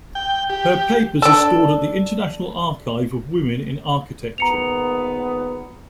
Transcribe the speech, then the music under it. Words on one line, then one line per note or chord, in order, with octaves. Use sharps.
Her papers are stored at the International Archive of Women in Architecture.
G5
G4
D4 A4
G#1 A#2 B3 A#5 C#7 F7